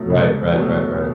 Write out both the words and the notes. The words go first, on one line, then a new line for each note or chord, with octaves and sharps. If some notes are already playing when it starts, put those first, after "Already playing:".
Right, right, right, right.
Already playing: B2 F#3 A3
C#2
B2 F#3 A3